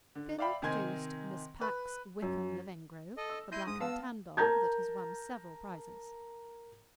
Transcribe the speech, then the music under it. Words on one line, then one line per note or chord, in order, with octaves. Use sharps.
Finn produced Miss Packe's Wickham Lavengro, a black and tan dog that has won several prizes.
D3
D5 E5 F5 G5 B5
C3 D#3 D#4 G#5 C6 G#6
B4
F#2
A4 D#5
E6
E4 C6 G6 A#6 D#7
G#2 D#6
B3 F5 A5 E6
A#4 A5 A#5 G6 G#6